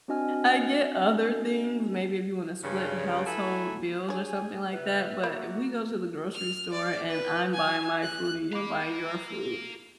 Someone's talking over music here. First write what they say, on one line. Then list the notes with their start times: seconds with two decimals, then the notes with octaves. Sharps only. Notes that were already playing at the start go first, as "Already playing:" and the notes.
I get other things maybe if you wanna split household bills or something like that but if we go to the grocery store and I'm buying my food and you're buying your food,
0.08 C4 D4 F#4 D#5 G#5 F6
2.64 G2 C#3
3.27 F#3 E4 A4 G#5 B5
4.09 D4 G#4 C#5 G#5
4.72 C#3 B4 E5
5.24 A#3 F#4 A#4 B5
6.35 F6
6.72 D5
7.10 B4
7.54 G#5
8.03 F#6
8.53 A#4 F5 B5 D6